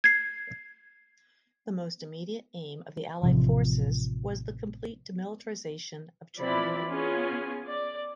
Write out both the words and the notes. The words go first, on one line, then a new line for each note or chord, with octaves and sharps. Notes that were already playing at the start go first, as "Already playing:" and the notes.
The most immediate aim of the allied forces was the complete demilitarisation of Germany.
G#6 C7
A1 C3 F3
E3 F3 C4 E4 D5 B5
B3 C#4 F4 G#4 G#5
D5